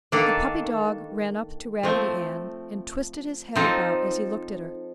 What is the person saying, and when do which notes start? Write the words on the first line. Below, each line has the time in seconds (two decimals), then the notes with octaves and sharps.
The puppy dog ran up to Raggedy Ann and twisted his head about as he looked at her.
0.12 D#3 A#3 D4 A4
1.83 F3 A3 C4
3.55 F3 C4 D#4 A4